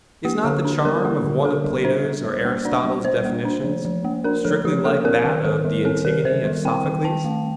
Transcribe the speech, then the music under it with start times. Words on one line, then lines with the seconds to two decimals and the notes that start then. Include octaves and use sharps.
Is not the charm of one of Plato's or Aristotle's definitions, strictly like that of the Antigone of Sophocles?
0.25 A#3 G4
0.45 D3 A4
0.65 D4
0.85 G3 A#4
1.05 A#3 G4
1.25 D3
1.45 D4 A4
1.64 G3
1.84 D4 C5
2.05 G3
2.25 G3
2.45 A#3
2.65 D4 D5
2.85 G3
3.05 G3 C5
3.25 A#3
3.45 D4
3.65 F3
3.85 F3
4.04 A#3
4.24 D4 A#4
4.45 F3 A4
4.65 F3 G4
4.85 A#3 A4
5.05 C4 A#4
5.25 D#3
5.45 D#3 A4
5.65 G3
5.85 C4 A4
6.05 D#3 A#4
6.25 D#3 C5
6.45 G3
6.65 C4 G5
6.85 D#3
7.05 D#3 A5
7.25 A3